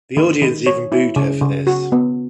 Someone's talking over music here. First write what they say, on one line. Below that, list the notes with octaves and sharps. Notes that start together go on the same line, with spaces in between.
The audience even booed her for this.
D#3
D#3
C#5
E4
C#3
C#3
F#4
B3